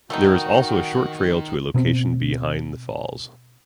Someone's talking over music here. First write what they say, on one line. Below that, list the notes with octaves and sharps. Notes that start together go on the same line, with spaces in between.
There is also a short trail to a location behind the falls.
D#3 A3 B3 D#4 F#4 G5
B2 B3 C4